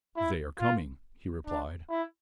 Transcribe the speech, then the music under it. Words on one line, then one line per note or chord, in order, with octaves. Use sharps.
"They are coming," he replied.
E4
F4
D4
E4